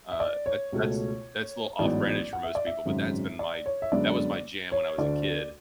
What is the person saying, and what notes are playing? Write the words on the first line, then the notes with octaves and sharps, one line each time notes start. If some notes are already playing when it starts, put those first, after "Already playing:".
uh, that that's, that's a little off-brandish for most people, but that's been my that was my jam when I was a kid,
E5
D5
C#5
C#2 B2 A3
A1 G#2 F#3 B3 D5
F#5
E5
D5
E5
G#1 F#2 C#3 G#3
D5
C#5
E5
F#2 D3 G#3 B3 D5
C#5
D2 D3 A3 D5